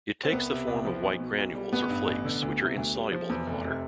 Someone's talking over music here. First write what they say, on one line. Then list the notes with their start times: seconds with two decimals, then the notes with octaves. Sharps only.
It takes the form of white granules or flakes, which are insoluble in water.
0.23 C4
0.32 C2 B3
0.50 C3
0.67 C2
0.85 F3
1.03 B1
1.20 B2
1.37 B1
1.55 G3
1.73 A1 B3
1.89 G2
2.07 A1
2.25 D3
2.42 D2
2.60 C3
2.77 D2
2.95 G3
3.12 F3
3.30 E2
3.47 F1
3.65 C3